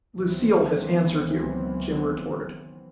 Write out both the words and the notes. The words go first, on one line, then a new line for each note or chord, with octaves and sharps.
"Lucille has answered you," Jim retorted.
C#2 D#3 E3 F#3 B3 C4